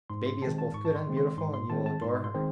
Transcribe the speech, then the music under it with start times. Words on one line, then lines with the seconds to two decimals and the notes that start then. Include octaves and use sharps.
The baby is both good and beautiful, and you will adore her.
0.10 G#2 C6
0.26 C6
0.42 D#3 G#3 C4 A5
0.58 A5
0.74 G#2 C#6
0.85 A5
0.95 C6
1.06 D#3 G#3 C4
1.17 C6
1.38 G#2 C6
1.54 C6
1.70 D#3 G#3 C4 A5
1.86 A5
2.02 G#2 C6
2.24 C6
2.34 D#3 G#3 C4